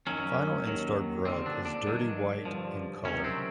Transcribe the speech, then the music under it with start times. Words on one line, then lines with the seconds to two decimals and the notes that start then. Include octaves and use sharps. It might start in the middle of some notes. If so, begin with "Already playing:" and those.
Final instar grub is dirty white in color.
0.07 F#2 D#3 F#3 C#4
0.67 D#2 D#3 F#3
1.25 D#2 D3 F3 C4
1.46 D4
1.65 D4
1.86 G2 D#3 F#3
2.45 G2 D3 F3
3.05 C#2 C3 D#3 F#3 C#4
3.24 C4